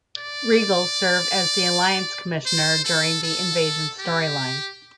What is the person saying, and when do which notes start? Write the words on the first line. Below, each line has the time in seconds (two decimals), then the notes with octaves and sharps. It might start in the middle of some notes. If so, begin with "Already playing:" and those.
Regal served as The Alliance Commissioner during the Invasion storyline.
0.18 D5
2.46 C5
2.85 A4
3.23 A4
3.99 G4